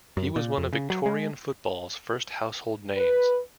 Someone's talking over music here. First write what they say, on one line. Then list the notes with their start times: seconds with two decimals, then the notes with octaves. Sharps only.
He was one of Victorian football's first household names.
0.17 F#2
0.36 A#2
0.58 F2
0.73 C#3
0.90 F#3
1.06 G#3
2.97 B4